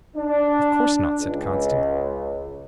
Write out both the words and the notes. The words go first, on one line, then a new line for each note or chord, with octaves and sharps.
"Of course not," said Constance.
D4
C#2